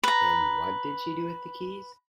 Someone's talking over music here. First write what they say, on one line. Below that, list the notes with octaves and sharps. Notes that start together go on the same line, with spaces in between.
And what did she do with the keys?
B4 A#5